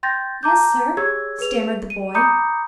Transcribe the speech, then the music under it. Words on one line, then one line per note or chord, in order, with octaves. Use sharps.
'Yes, sir,' stammered the boy.
G5 C6 G6 A6 A#6
A5 A#5 D6 G6
G4 G#4 C#5 E6 G#6
G#4 B4 F7
D#7
A#5 B5 D6 D#6 G6 C#7